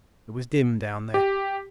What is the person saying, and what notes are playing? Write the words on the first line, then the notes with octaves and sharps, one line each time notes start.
It was dim down there.
G4